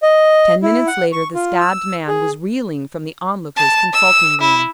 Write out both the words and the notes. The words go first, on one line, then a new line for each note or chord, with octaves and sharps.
Ten minutes later, the stabbed man was reeling from the Onlooker's consulting room.
D#5
E4
F#5
C#6
F4
E6
G#4
A5
E6
E4